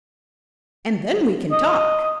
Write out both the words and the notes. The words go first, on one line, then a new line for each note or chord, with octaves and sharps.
And then we can talk.
D#5